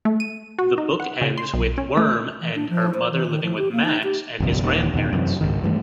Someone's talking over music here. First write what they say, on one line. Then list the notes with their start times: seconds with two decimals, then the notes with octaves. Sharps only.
The book ends with Worm and her mother living with Max and his grandparents.
0.05 A3
0.20 D#7
0.59 F#4
0.78 D#4
1.00 F#5
1.21 C#3
1.38 C6
1.54 B1
1.78 C#4
1.97 A3
2.41 E3
2.55 D4
2.70 F3
2.94 C5
3.10 E3
3.30 D#3
3.43 F3
3.58 G4
3.72 A#3
3.85 D#4
4.03 G4
4.40 F#1 B1 E2
4.63 D#1 D#2 D#3
4.94 E2 B2 D#3
5.13 F#2 C3 E3
5.41 C#2 G#2 D#3
5.63 G2 E3 A3